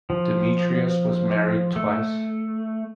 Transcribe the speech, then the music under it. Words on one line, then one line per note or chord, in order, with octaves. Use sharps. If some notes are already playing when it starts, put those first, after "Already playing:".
Demetrius was married twice.
F3
A3